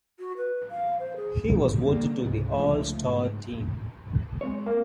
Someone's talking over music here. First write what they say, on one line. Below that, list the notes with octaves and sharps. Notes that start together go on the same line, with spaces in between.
He was voted to the All Star team.
F#4
B4
F5
C5
G#4
D3 G3 A#3
C#2 G#2 C3
F#1 C#2 F3 A3
G#2
G#3 C4 C#5
A#3